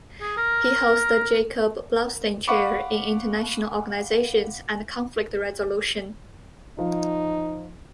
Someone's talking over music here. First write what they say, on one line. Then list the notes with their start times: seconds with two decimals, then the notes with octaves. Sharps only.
He holds the Jacob Blaustein Chair in International Organizations and Conflict Resolution.
0.21 G#4
0.37 A#4
2.48 F5 F#5 B5 C#6 D6
6.78 F3 D#4